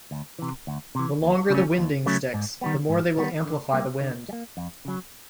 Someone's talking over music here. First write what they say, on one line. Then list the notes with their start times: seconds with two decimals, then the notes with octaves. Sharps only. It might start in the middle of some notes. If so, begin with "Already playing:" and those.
The longer the winding sticks, the more they will amplify the wind.
0.11 D2
0.39 C3 E3
0.67 D2
0.95 C3 E3
1.22 D#2
1.50 C#3 F#3 A3 C#4
1.78 D#2
2.06 C#3 F#3 A3 C#4
2.34 G#2
2.61 D#3 G3 B3
2.89 G#2
3.17 D#3 G3 B3
3.46 D3
3.73 G3 A#3
4.01 D3
4.29 G3
4.33 A#3
4.57 F2
4.85 C#3 F#3